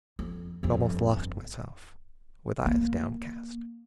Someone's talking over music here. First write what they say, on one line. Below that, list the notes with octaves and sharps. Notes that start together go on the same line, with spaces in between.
And almost lost myself with eyes downcast.
F2
G1 F2
A#3